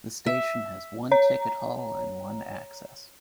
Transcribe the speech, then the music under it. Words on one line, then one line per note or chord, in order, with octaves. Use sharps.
The station has one ticket hall and one access.
E5
C#5 A#5